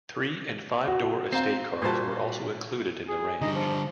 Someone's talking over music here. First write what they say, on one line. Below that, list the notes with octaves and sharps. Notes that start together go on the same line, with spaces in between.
Three- and five-door estate cars were also included in the range.
F#4
C4 F5 A#5 C7
A#2 G3 F#4 C5 A5
G#4
D3 G3 D#4
F3